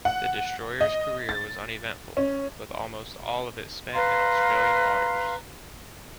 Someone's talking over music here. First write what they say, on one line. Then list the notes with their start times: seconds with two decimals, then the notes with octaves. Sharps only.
The destroyer's career was uneventful, with almost all of it spent in Australian waters.
0.05 F#5
0.81 D#5
1.29 A6
2.17 C#4
3.94 B4 F5 A#5 C6